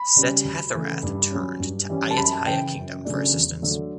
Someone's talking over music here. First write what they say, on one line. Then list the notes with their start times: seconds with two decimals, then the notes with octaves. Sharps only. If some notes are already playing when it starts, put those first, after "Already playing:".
Setthathirath turned to Ayutthaya Kingdom for assistance.
Already playing: B5
0.16 C#3 G3 C#4
0.44 D2
0.74 C#3 E3 A3
1.03 G2
1.30 F#3 C#4
1.59 G2
1.89 E3 G3 C#4
2.11 A5
2.17 F#2 B5
2.33 A5
2.46 C#3 E3 G5
2.75 F#2
3.05 C#3 F#3 A3 D4
3.33 E2
3.62 D3 F#3 A3